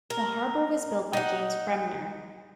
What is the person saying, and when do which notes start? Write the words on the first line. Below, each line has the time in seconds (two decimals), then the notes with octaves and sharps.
The harbour was built by James Bremner.
0.10 A#4
1.13 D#4 F#5